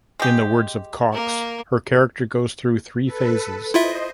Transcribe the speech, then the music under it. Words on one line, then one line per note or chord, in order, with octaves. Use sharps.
In the words of Cox, her character goes through three phases.
G#3 G4
A#3 A#4
A4 B4
E4 F4 C5 D#5 E5